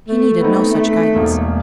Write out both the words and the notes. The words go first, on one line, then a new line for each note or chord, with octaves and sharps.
He needed no such guidance.
A3
B3 C4 D#4
A3
E1 A#3 G#4